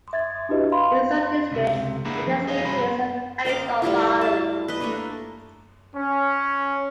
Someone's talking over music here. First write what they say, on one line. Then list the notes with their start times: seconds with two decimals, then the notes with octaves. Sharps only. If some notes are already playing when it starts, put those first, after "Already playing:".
In some districts they nest in fields of oats or barley.
0.13 E5 G#6 A6
0.49 D4 E4 F#4 G4 B4 D#5
0.72 F5 B5 C6
1.52 C#2 C3
2.05 A#3 B3 D4 E4 G#4
2.27 F3 C#4
2.48 G#4 D#5 F5 G#5
2.65 C2 G2 F#3 G#4 C5 B5
3.45 A#4 D#5 F5 D6
3.82 G3 A3 E4 F4
4.21 A5
4.68 B4 D#5
4.81 A3 A#3 D4
5.95 C#4